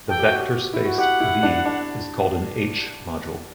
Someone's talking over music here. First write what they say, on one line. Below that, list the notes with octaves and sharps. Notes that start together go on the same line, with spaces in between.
The vector space "V" is called an "H"-module.
A4 G5
G4
F#4
G4
E4
F#4
G4 F#5
E4
D4
D4